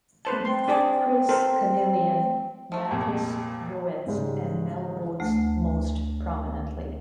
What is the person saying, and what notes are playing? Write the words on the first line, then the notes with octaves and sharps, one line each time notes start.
Chris Chameleon, Mathys Roets and Mel Botes most prominently.
B4 C5 A5
C4 C6
D4 G#4 D5
A4 A#4 C5
F3 A3
C2 F2 A#2
G#2 C#3 G3
D2 A3